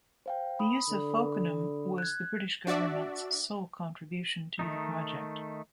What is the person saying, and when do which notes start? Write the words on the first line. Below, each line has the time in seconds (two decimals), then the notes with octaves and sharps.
The use of Folkingham was the British Government's sole contribution to the project.
0.26 C5 F5 G5
0.59 B5 C6 D#6
0.89 D3
1.98 F#6 G#6
2.67 D4 F#4 D5 E5
4.59 D#3 A3 D#4